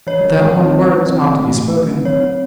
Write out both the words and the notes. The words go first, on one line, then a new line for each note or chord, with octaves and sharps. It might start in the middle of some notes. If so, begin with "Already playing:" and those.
But that one word was not to be spoken.
E3 C#5
E3
G#3
C4
G#3
C4
E3
C4
A3
A3
F#3
C4
F#3 C#5
C4